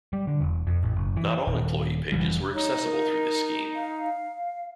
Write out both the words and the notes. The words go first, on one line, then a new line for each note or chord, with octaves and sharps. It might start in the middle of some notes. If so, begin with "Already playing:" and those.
Not all employee pages were accessible through this scheme.
G3
D3
E1
F2
A1
F#1
E3
D#1
F1 E3 G3
D#4 C#5
A#4
F5